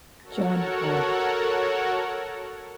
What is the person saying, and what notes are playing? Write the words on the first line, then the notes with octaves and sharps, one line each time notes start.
John Hand.
F#4 A4 A#4 C#5 F#5